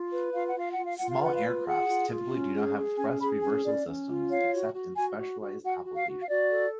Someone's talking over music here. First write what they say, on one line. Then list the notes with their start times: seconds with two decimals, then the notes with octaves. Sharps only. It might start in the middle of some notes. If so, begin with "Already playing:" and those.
Small aircraft typically do not have thrust reversal systems, except in specialized applications.
Already playing: F4
0.12 B4
0.33 F4 F5
0.46 F#5
0.56 F4 F5
0.71 F#5
0.78 F4
0.84 F5
0.96 F4 F#5
1.09 F5
1.21 B4 F#5
1.34 F5
1.44 F4
1.66 G#4 F#5
1.88 F4
2.10 F4
2.32 C#4
2.54 G#4
2.77 G#4
2.98 C#4 G#5
3.20 G#4 B5
3.42 C#4 G#5
3.64 C#4 D5
3.86 C#4
4.08 F4
4.30 C#5 F5
4.52 F#4
4.74 F#4
4.96 F#4 G#5
5.18 F#4
5.40 F#4
5.63 F#4 F#5
5.85 F#4
5.95 F5
6.06 F#4
6.22 F5
6.29 F#4 D5
6.50 A4